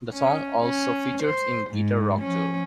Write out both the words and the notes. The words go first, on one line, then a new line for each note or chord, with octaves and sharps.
The song also features in Guitar Rock Tour.
C#4
C#4
C5
G#2
F3 C#4